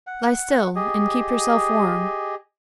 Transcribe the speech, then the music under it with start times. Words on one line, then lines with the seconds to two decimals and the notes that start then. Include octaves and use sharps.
Lie still, and keep yourself warm.'
0.07 F#5
0.76 G4 G#4 D#5